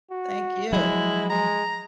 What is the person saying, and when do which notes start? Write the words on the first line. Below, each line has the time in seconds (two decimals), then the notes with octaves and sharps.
Thank you.
0.11 F#4
0.73 F3 F#3 G#3 E4
1.30 G#3 A#5